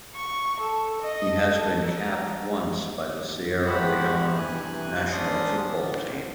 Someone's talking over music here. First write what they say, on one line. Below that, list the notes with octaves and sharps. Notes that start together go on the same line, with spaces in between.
He has been capped once by the Sierra Leone national football team.
C#6
A4
D#5
A4
A#5
G#2 A3 G4 C5 F#5 B5
G2 C3 E3 G#5 F#6
G#2 C#4 D4 D5 C6 D#6
A2